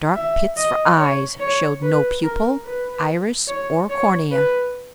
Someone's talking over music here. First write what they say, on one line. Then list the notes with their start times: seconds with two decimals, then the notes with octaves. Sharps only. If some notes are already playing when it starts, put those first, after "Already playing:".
Dark pits for eyes showed no pupil, iris, or cornea.
0.15 E5
0.57 D#5
0.98 C#5
1.40 C#5
1.82 B4
2.24 A#4
2.65 B4
3.48 C#5
3.90 C#5
4.31 B4